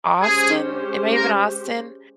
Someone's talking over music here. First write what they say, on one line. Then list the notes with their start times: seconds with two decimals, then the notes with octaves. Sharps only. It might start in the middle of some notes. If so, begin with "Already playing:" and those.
Austin, it may have been Austin
0.22 G#3 C#4 G4 G#4 C5
1.14 A#4